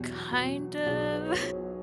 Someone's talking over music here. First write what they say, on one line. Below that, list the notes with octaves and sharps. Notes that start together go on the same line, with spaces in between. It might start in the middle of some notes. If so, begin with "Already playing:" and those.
Kind of,
Already playing: E2 B2 F#3 G4
E2 B2 F#3
B1 B2 F#3 G#4
B4
C#5
B1 B2 F#3 C5